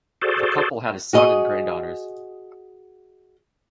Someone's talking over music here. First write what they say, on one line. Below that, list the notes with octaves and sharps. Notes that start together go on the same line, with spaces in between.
The couple had a son and granddaughters.
F#4 G#4 A4 C5 D5
F#4 G#4 D#5